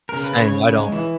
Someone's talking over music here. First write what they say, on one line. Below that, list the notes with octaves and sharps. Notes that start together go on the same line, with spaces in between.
Saying I don't
C#3 A#4
B4
C#3
C#5
C#3
G#3
E3